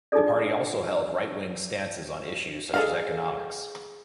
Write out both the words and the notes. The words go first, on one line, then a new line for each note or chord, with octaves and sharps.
The party also held right-wing stances on issues such as economics.
D4 D#4 F4 G#4 A4 D5
G#4 A4 B4 D#5 F5